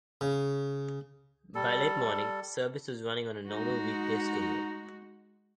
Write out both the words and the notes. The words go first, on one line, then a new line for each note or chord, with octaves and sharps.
By late morning service was running on a normal weekday schedule.
C#3
G3 A4
G#3 D#4 F#4